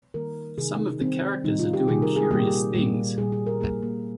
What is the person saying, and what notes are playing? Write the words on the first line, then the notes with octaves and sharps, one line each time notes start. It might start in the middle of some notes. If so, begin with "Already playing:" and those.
Some of the characters are doing curious things.
D#3 G3 A#3 A#4
C3 D#3 G3 G#4
D#4
C3 D#3 G3 C4
C3 D#3 G3 D#4
F4
G4
C3 D#3 G3 G#4
A#4
G#4
A#2 G3 A#3 G4
A#2 G3 A#3
A#2 G3 A#3 G#4
G#4
A#4
A#2 G3 A#3 G#4
A#3